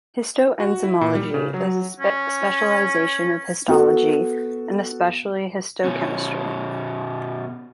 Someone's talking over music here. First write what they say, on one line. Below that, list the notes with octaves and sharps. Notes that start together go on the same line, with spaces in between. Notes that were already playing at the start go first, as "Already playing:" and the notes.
Histoenzymology is a specialization of histology and especially histochemistry.
F#4
E4
A#2
G3
C#3
F#3
C#4
B3 F#4 A4
B2 C#4